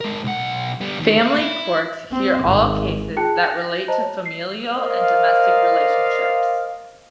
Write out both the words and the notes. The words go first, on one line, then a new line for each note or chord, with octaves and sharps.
Family courts hear all cases that relate to familial and domestic relationships.
G#3 A#4
B1 F#5
G3 B3
D#2 D#3
A#3 F5
E4
C4
G#1
F4 G#4 G5 A5 F#6 C#7
G5 G#5 F#6 A#6
A#6
C5 D#5 A5 A#5
C#5
C7
A#4 C5 D5 D#5 F5